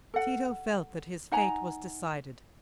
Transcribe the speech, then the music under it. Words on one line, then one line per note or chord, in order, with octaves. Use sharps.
Tito felt that his fate was decided.
A4 F#5
D#4 F#5 G#5 A#5